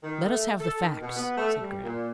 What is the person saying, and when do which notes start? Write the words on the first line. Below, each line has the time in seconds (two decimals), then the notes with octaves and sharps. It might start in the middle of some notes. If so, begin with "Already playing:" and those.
"Let us have the facts," said Graham.
0.03 D#3
0.25 A3
0.60 A4
0.80 D#3
1.01 B2
1.16 B3
1.37 A3
1.60 G3
1.83 A#2